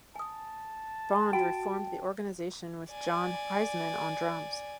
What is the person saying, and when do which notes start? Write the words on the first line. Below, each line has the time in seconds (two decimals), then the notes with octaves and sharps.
Bond reformed the Organisation with Jon Hiseman on drums.
0.16 G#5 A5 D#6
1.33 F#4 F#5 G5 C6
2.90 D5 G#5